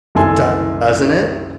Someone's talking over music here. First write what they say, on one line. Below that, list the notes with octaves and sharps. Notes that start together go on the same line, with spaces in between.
Doesn't it?
F#1 C2 D#3 A4 G#5 C6